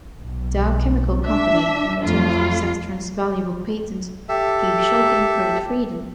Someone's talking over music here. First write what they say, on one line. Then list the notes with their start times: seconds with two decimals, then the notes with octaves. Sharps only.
Dow Chemical Company, in return for Zectran's valuable patent, gave Shulgin great freedom.
0.19 B1
1.24 D4 E5
2.01 F2 A3 F4
4.29 G4 A4 E5